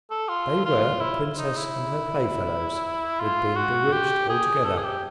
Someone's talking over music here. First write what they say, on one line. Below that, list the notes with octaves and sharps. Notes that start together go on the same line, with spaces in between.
They were a princess and her playfellows, who had been bewitched all together.
A4
F4
F4
E4
D#4
E4
F4
F#4
G4
G#4
A4
G#4
G4